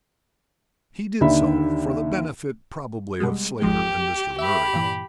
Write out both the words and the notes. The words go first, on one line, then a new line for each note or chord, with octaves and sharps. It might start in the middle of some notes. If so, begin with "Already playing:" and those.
He did so--for the benefit, probably, of Slater and Mr. Murray.
D#2 D3 D#3 E5 B5
B2 G3 G#3
G#1 F3 G#3 G4
G4 E5 B5
G2 A#2 E3